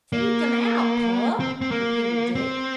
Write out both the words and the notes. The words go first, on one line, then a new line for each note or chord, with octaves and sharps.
"Seek him out, pup!" repeated Dick.
A#3
C4
C4
A#3
C4